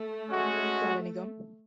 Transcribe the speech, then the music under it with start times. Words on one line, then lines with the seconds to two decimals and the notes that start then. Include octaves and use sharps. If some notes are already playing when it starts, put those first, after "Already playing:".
Got Any Gum?
Already playing: A3
0.28 G#3 C#4 F#4